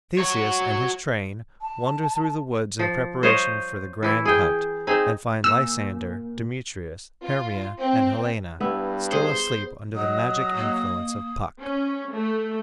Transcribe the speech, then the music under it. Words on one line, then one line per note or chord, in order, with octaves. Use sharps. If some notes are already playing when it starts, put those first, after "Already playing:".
Theseus and his train wander through the woods in preparation for the grand hunt and find Lysander, Demetrius, Hermia and Helena still asleep under the magic influence of Puck.
F#4 C#5
A5
F3
C5 C#5 D#5 F5
E3 E4
G#4 G5
C4 D#4 G#4
A#2 E6
F4
C4
G2 B3 E4
G#4 C5
F#3 D#5 D#6
A#3
C#4
A3